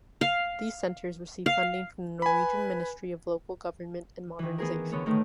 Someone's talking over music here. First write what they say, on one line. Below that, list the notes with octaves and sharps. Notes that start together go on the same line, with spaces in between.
These centers receive funding from the Norwegian Ministry of Local Government and Modernization.
F5
F5
B4 G#5 B5
D#3 E3
B3 G#4 A#4
D3 B3 C#5
A2 D#3 A3 B3